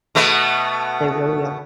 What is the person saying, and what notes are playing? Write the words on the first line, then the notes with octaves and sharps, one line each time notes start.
They really are
B2 A3 B3